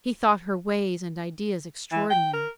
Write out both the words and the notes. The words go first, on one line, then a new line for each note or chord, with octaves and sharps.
He thought her ways and ideas extraordinary.
E3
G5
A#4